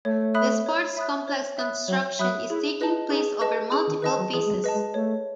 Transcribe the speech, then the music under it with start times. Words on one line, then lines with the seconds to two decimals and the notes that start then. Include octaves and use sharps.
The sports complex construction is taking place over multiple phases.
0.05 A3 C#5
0.34 E5 B5 D#6 F#6
0.66 C#5
0.97 E5 B5 D#6 F#6
1.28 C#5
1.58 E5 B5 D#6 F#6
1.88 F#3 C#5
2.19 F#3 E5 B5 D#6 F#6
2.49 E4 G#4
2.81 D#4 B4 D#5 A5
3.10 D#4 G#4
3.41 B4 D#5 A5
3.72 C#4 G#4
3.87 D#3
4.02 D#3 B4 D#5 A5
4.18 F#3
4.33 E3 G#4
4.46 G#3
4.54 F#3
4.64 B4 D#5 A5
4.74 G#3
4.94 A3 C#5